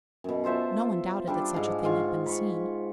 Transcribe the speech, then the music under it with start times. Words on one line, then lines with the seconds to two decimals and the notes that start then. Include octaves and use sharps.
No one doubted that such a thing had been seen.
0.24 F#2 B2
0.44 F4 A4 C5 E5
1.27 G3 D4 A4
1.54 G#2 F5
1.83 G#2 F4 C#6
2.26 B5 C#6